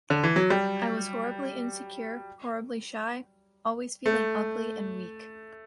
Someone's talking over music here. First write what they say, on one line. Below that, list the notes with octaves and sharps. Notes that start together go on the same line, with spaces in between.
I was horribly insecure, horribly shy, always feeling ugly and weak.
D3
E3
F#3
G3
A3